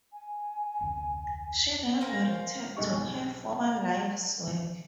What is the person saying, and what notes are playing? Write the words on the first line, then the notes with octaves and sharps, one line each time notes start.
She never returned to her former life's work.
G#5
F1 D2
C#4 A#4 C5 F5
B1 G#2 D#4 G4 C#6